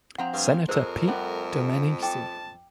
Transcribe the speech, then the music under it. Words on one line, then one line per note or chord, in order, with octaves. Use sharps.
Senator Pete Domenici.
F3 C4 F#5 A#5
G2 F5
F2 G#4 A#4 C5 E6
G3 A3 F#5
G5 A5 D6